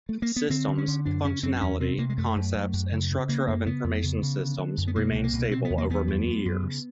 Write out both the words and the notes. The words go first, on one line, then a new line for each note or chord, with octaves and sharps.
Systems, functionality, concepts and structure of information systems remain stable over many years.
A3
A#3
B3
D3 C4
D3
C#4
D3
F#2 D4
C#3 C#4
F#2 C4
C4
E2 C#4
C3 C4
C3 A#3
G#3
F#2 A3
F#2
F#2
F#2
C#3
C#3
C#3 A#3
F#2 A#3
C#3 B3
F2
C#3
C#3
D3
D3
F#2
B3
B2 A#3
C2
A#3
B2
C3 C4
B3
E2
A#3
E2 B3
F#2
F#2
F#2
C#3